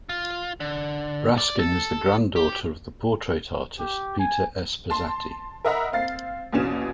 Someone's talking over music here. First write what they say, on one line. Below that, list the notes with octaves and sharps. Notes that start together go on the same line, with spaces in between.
Raskin is the granddaughter of the portrait artist Peter S. Pezzati.
F4
D3
D5
A4
G4
G4
G#5
A5 C6
A#4 D#5 E5 F#5 A#5 B5
C4 F5 A6 C7
A#1 E2 B2 C#4 E7